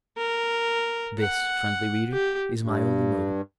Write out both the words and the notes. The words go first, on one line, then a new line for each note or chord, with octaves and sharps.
This, friendly reader, is my only motive.
A#4
F#5
G4
G2